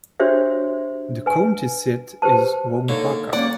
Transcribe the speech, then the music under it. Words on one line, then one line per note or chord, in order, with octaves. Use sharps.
The county seat is Waupaca.
D4 F#4 G4 C5 C#5 E5
B4 G#5
G4 B4 C5 A5
D3 A#3 D#4 C#5
F#3 A#3 C#4 D5 F#5